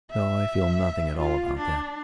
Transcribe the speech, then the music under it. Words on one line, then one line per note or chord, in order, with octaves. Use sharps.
No, I feel nothing at all about that.
E5
F4
D4